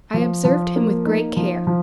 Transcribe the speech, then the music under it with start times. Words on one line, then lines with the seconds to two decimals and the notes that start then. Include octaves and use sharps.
I observed him with great care.
0.14 F3
0.45 F3
0.76 A#3
1.06 D#4
1.37 F3
1.67 F3